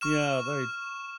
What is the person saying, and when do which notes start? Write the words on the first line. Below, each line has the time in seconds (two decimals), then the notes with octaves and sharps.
Yeah, they
0.01 C#6 F6 E7